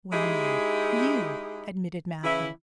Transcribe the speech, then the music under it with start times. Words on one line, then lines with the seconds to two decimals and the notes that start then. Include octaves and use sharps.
"Well now, you," admitted Matthew.
0.13 G#3 D#4 E4 G4 G#4
2.24 C#3 E3 E4